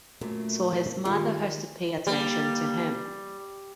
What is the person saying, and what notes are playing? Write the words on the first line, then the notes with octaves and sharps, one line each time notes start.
So his mother has to pay attention to him.
F#2 A#2 A3
G2 D#3 G#3 F4 G4
G3 A#3